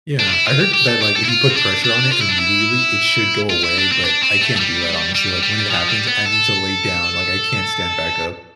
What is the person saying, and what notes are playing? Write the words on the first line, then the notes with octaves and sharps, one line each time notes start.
Yeah. I heard that, like, if you put pressure on it immediately, it should go away, but I can't do that, honestly, like, when it happens, I need to lay down, like, I can't stand back up.
D4
F4
E4
F4
G4
G4
A4
G4
A4
E4
F4
C4
D4
D4
F4
E4
D4
E4
F4
E4
D4
C4
D4
C4
A3
A3
G3
G3
G3
F3
G3
B3
A4